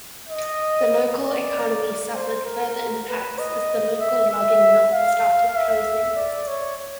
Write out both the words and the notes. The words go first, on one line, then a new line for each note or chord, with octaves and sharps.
The local economy suffered further impacts as the local logging mills started closing.
D#5
D5
C5
A#4
B4
D#5
E5
E5
F5
E5
D5
C#5